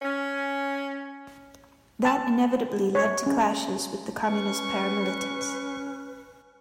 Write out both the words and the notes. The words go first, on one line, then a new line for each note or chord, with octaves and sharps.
That inevitably led to clashes with the communist paramilitants.
C#4
A5
C#5
C#4
C#4 B4 C#6